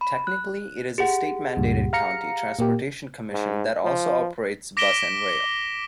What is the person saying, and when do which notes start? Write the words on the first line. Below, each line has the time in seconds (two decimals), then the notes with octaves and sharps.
Technically it is a state-mandated county transportation commission that also operates bus and rail.
0.01 B5
0.27 F#6
0.98 G4 G#4 F#5
1.57 C#2 G2 A#2
1.93 F5 A#5 C#7
2.59 A#2 A#3 G4
3.33 G#2
3.85 F3
4.77 D6 A#6 B6 D7 E7 G7